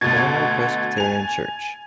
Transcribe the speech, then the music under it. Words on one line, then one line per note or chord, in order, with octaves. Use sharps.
Carmel Presbyterian Church.
D2 B2 G#6 A6
G#5 F7